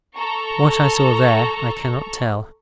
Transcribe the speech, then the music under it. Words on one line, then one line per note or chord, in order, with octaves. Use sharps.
What I saw there, I cannot tell.
A4 A#5 C#6